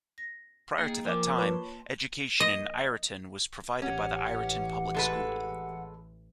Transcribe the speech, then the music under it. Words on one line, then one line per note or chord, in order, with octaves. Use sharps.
Prior to that time, education in Ireton was provided by the Ireton Public School.
A#6
A#3 D#4 G#4 F5 G5
F3 A#4 G#5 D6
F4 B4 C#5 A5 C6
D#5
A1 E3 C#4 G4 F#5
G#3 A4 B4